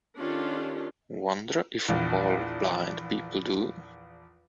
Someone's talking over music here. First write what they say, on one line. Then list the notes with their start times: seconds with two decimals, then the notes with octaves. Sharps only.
Wonder if all blind people do?
0.19 D#3 C#4 D4 F4 G4 A4
1.89 A#1 E2